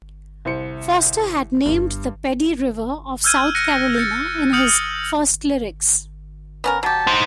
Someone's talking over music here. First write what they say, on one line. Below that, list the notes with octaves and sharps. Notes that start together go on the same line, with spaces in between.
Foster had named the Pedee River of South Carolina in his first lyrics.
C2 C5 C#7
G1 G2 G3
E6 F6 G6 G#6 D#7
F6 F#6 A#6 C#7 D#7
G6 A6 C#7
D#6 F6 G6 C#7 F#7
B3 C#4 A#4
F#3 G4 A5
D#4 C5